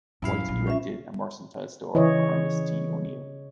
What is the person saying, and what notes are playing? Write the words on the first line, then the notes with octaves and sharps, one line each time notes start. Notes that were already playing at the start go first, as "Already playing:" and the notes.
White erected a mercantile store for Ernest T. O'Neil.
A1 F#2 E4 F5
A#1
C#4 F4 E5
C#3 E3 C#5 D#5